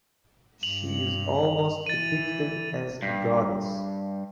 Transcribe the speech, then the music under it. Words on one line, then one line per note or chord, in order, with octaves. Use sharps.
She is almost depicted as a goddess.
G2 F7 F#7
E3 A6 D#7
G2